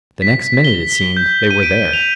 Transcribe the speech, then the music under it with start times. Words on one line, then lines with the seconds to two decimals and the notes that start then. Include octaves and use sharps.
The next minute, it seemed, they were there.
0.22 B6
0.65 G7
1.17 G6
1.51 D#7
1.63 D7
1.93 F7